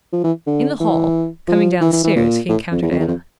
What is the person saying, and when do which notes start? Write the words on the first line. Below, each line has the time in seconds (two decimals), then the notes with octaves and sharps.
In the hall, coming down the stairs, he encountered Anna.
0.13 F3
0.24 E3
0.47 D3
0.80 E3
1.48 F3
1.81 E3
1.93 E3
2.04 E3
2.16 A#2
2.49 A2
2.71 F2
2.82 E2
2.91 F2
3.00 E2
3.08 F2